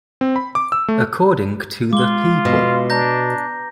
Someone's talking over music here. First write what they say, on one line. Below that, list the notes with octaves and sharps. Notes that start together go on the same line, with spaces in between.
According to the people.
C4
B5
D6
E6
A3
G#3 F4 D6 G7
B2
D4 A#5 G6 A#6